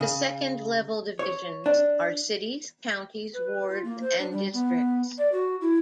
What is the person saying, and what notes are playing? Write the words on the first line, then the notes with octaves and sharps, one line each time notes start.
The second-level divisions are cities, counties, wards, and districts.
C#3
C#5
D4
B4
F4
A#3
C5
D4
G3
B3
D5
F#4
E4